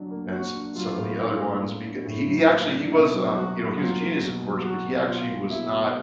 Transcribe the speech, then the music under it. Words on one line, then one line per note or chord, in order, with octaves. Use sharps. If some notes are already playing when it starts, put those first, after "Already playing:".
and s some of the other ones, beca he he actually he was, um you know, he was genius, of course, but he actually was not
Already playing: F#3 D4
A#3
A#3 F#4
D4
F#3 F4
A2
D4
A#3
A2
D4
A2
F#3
A#3
D4
B2 E4
F#3
F#3 F#4
A#3
F#3 F4
A#3
B2
F#3
F#3 F#4
B2
B2 F4
A#3
B2 E4
B2